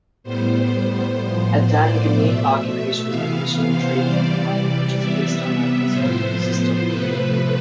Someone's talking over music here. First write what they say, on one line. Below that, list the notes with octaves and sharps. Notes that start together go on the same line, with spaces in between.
Adangme occupations are fishing, trading and farming which is based on the huza system.
A2 G3 B3 C5
A2 F3 B3 C5
D5
B2 A3 E5
C3 E3 B3 F5
C5
C3 E3 G3 D5
C3 G3 B3 E5
E5
A2 F3 B3 C5
C3 F3 A3 B4